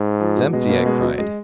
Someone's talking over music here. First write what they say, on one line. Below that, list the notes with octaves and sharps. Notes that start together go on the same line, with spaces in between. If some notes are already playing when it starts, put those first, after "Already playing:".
"It's empty," I cried.
Already playing: G#2
F3
F#3
B2 G#3
A#3
G#3
F#3
G#3